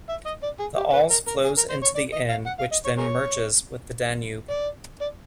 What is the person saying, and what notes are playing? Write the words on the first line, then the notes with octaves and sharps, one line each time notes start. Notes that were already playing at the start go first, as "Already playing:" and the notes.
The Alz flows into the Inn which then merges with the Danube.
E5
D#5
D5
G#4
G4
B4
A#4
A#4
G#4
A#4
C5
C#5
D5
D#5
F5
F#5
F5
D#5
C#5
G#4 A#4 C#5
D5
D5